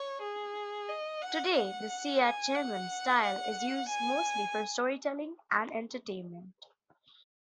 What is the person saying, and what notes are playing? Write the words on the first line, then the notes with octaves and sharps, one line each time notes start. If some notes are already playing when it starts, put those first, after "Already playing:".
Today, the Siya Cheman style is used mostly for storytelling and entertainment.
Already playing: C#5
G#4
D#5
F#5
F#5
G#5
F#5
F#5
G#5